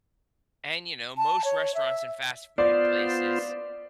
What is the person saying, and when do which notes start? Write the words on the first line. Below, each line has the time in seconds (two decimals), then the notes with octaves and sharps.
and, you know, most restaurants and fast food places
1.17 A5
1.44 C#5
1.75 E5
2.58 B3 F4 C5 D5